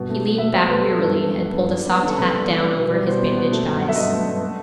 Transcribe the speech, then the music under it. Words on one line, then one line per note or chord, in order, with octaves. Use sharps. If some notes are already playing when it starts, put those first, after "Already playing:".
He leaned back wearily and pulled a soft hat down over his bandaged eyes.
Already playing: G2 B2
A3
A3
B2 E5
B2 C5
A3 B4
B3 A4
G2
E3
G2
B3
G2
G3
B3
D#3 A4
C3 B4
G3
B3
B3
B2
G3
B2 C5
B3
B2
A3
G2
F#3 F#5
E5
G2 D#5
A3
G2
A3